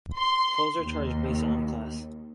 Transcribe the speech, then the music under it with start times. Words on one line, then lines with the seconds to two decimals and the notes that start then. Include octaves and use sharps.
Tolls are charged based on class.
0.17 C6
0.80 D#2